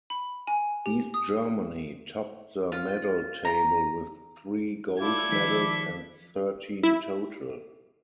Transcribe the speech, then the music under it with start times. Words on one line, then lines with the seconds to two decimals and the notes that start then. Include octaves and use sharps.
East Germany topped the medal table with three gold medals, and thirteen total.
0.10 B5
0.47 G#5
0.86 G4
1.14 D#6
2.72 F4
3.45 A#5
5.00 E4 F4 A4 D5 G#6
5.32 D#3 F3 B6
6.83 E4